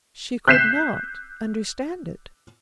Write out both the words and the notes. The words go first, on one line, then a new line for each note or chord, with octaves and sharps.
She could not understand it.
F#6 G6 B6 C7 E7